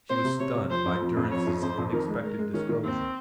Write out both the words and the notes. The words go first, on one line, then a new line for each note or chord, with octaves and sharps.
She was stunned by Durrance's unexpected disclosure.
C4 C5
C3
C3 C#5
C3
F3 C5
F2
F3
F2
F3 C#5
F2
F2 C5
F2
D#3 A#4
G#3
G#3 A#4
G#3
D#3 C#4
D#3
D#2 C4